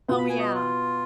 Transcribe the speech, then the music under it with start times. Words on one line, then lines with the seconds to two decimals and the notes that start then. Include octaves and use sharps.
Oh, yeah,
0.08 B2 B3 F4
0.18 B5
0.29 G#5
0.39 D#5
0.55 F4